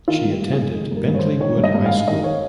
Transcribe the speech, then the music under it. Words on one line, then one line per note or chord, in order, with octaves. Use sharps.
She attended Bentley Wood High School.
D#3 F4
G2
G4
G2
G#3 G#4
D#3
G2 A#4
G2
C#5
C5
G#3
D#3 C#5
G2
D#5
G2
G#3 F5
D#3 D#5
C#5